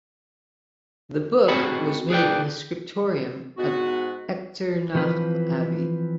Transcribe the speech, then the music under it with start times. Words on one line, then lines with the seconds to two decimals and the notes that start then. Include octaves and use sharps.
The book was made in the scriptorium of Echternach Abbey.
1.48 C4 F#4 G#4 D#5 F#5 B5
2.10 G#4 B4 D5 G5
3.57 G#2 B3 F#4
4.95 E3 F3 C4 B4